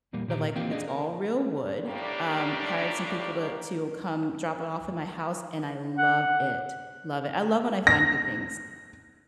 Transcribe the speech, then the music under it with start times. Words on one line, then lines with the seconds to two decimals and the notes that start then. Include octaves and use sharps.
of, like it's all real wood, um, hired some people to to come drop it off at my house and I love it. Love it, I love when I find good things.
0.13 E2 A#2 G3 A#3
0.28 A#2 D#3 G4 A#5
0.55 E3 A#3 C4 F4 G4 G5
0.71 D4 G#4 D5 D#5
0.88 A#4
1.85 A2 G3 A#3 D4 G4 D5
5.98 F#5
7.87 A#6